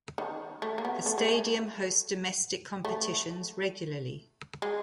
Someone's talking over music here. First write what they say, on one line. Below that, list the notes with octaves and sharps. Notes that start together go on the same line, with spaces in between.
The stadium hosts domestic competitions regularly.
D#3
A3
A#3
B3
A3
G#3
A3
A3
G#3